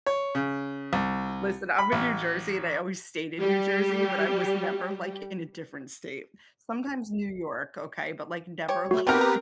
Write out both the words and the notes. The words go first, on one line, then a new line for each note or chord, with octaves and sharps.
Listen, I'm in New Jersey and I always stayed in New Jersey, but I was never like in a different state. Sometimes New York, okay, but, like, never, like
C#5
C#3
C2
B5
A1
G3 G4
G4 C#5
G3 A3 F#4
D#3 A3 B3 C4 G4 A#4 B4
A#5